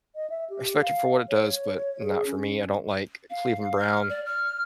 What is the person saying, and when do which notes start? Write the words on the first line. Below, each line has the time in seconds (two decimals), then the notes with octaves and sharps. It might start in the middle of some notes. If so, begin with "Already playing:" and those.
I respect it for what it does, but not for me. I don't like Cleveland Brown
0.16 D#5
0.30 E5
0.50 G4
0.81 F5
1.29 C#5
2.02 G#4
2.27 C#4
3.30 F5
3.80 F6
4.09 D5
4.26 F6